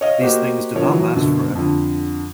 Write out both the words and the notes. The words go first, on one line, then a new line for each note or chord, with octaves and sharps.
These things do not last forever.
C#5 D#5 F5
A#3 F#4 G4 C5 D#5
G2 F3 A#4 C#5
E3 F#3
F#2 B2 D3
F2 D3